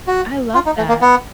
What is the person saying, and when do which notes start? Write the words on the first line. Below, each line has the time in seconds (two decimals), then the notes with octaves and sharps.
I love that.
0.07 F#4
0.54 F4
0.66 D#4
0.77 A3
0.89 A#3
1.01 B3